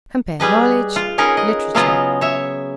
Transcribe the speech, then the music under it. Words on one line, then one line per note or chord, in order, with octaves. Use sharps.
Compare KNOWLEDGE; LITERATURE.
G3 G#4 B4 D#5
F4
C#4 D#4 G#4 A#4 B4 D#5
D#5
C#3 F#3 B3 F4 G#4 D#5
C#5 E5